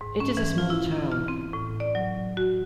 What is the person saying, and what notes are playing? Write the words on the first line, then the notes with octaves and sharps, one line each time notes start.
It is a small town.
G#2
C#4
E3
F4
E4
F6
C4
A2
D5
F#3
F#4